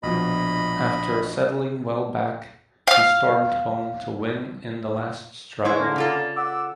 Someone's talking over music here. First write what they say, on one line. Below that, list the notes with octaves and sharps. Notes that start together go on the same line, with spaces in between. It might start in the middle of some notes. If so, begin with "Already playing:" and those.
After settling well back he stormed home to win in the last stride.
A#1 B2 F3 D4 D#5 B5
F5 F6
E2 G#3 E4 C#5
D3 A#3
C#3 F4 A4
F#5 D6 E6